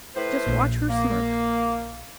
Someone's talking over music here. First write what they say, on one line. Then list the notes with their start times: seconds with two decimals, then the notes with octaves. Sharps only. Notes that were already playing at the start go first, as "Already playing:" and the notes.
Just watch her smirk!
0.15 A2 B4 C5
0.46 A#1 A#2
0.89 A#3